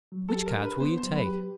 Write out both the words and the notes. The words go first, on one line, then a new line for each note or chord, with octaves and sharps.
Which cards will you take?
F#3
A4
G4
A#4
D4
B4
B3 C5
C5
F#3
B4
G4